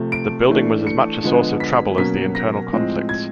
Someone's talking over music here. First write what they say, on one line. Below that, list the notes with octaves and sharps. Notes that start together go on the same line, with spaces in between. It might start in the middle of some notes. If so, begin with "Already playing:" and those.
The building was as much a source of trouble as the internal conflicts.
Already playing: C3 F3 A3
D7
E3 A3 D4
C#7
D3 F3 G#3 B3
B6
B2 F#3 A#3 C#4 B6
A#6
A2 F3 G#3 C4
G#6